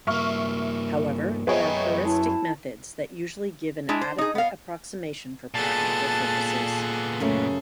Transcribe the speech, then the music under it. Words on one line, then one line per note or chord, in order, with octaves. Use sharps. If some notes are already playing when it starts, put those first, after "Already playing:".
However, there are heuristic methods that usually give an adequate approximation for practical purposes.
G2 A#3 E5 C#6 F6
F#2 B3 G#4 C#5 D#5 E5 G5 A#5
E4 A5
G#3 D4 E4
C5
D#4 G#4
B3 F5
A#2 B3 G#4 A4 A5
F#2 C#3 A3